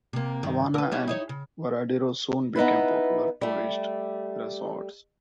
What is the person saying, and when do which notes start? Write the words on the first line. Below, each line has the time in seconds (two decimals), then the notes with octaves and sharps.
Havana and Varadero soon became popular tourist resorts.
0.13 C3 A#3
0.43 G2 D#3
0.74 A#4 B4
0.91 G3 C#4 E4
1.08 D#4 E4 C#5
1.29 C#3
2.56 B3 D#4 E4 B4
3.41 G3 A3